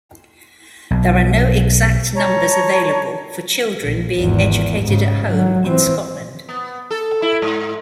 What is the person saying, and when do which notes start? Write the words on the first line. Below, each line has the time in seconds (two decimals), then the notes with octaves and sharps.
There are no exact numbers available for children being educated at home in Scotland.
0.91 B1
2.16 C#5 A5 A#5
3.82 A#1
4.17 G#1 E2
4.82 G#2 C#3
5.30 F#3
5.65 E3 C4
6.49 B3
6.91 A4
7.22 E4
7.42 G#2